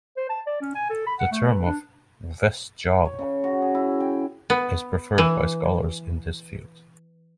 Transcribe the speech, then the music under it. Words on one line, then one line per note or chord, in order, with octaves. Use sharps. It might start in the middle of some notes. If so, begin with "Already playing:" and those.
The term of "West Java" is preferred by scholars in this field.
C5
A5
D5
C#4
G#5
A4
B5
F#5
A3
B4
D4
C#5
C#3
F#4
G#4
E4
G5
B3
E3